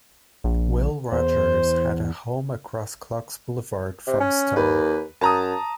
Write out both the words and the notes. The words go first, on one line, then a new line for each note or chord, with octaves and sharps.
Will Rogers had a home across Clocks Boulevard from Stone.
A#1
E2 C5
C3
C#4
D#2 B4
F#2 A5 A#5 D#6